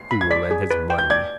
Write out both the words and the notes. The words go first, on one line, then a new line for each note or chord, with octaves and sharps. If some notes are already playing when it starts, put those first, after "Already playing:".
Fool and his money.
Already playing: C7
B5
G#6
D5 B6
G#4
B4
G5
G6
D5 G#6